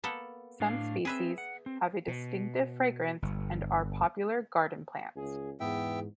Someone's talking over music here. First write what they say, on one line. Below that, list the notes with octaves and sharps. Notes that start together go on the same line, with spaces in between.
Some species have a distinctive fragrance and are popular garden plants.
A#3 B3 A4
A2 D4 F5
C4 G#4 B4 E5
F#5
C4
B2
G1
C#2 G#4
E2 G#2 B3 E5 G5